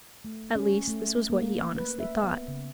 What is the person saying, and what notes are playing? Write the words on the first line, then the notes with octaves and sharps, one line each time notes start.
At least, this was what he honestly thought.
A3
C#4
A3
A#3
B4
E5
B3
C#3